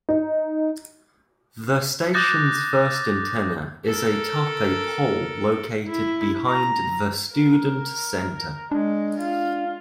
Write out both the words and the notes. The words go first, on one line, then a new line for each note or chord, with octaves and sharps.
The station's first antenna is atop a pole located behind the Student Center.
D#4
D6 D#6 F#6 G6 A6 A#6
A4 A#4
E4
A#5
A#4
G#3 D4
F4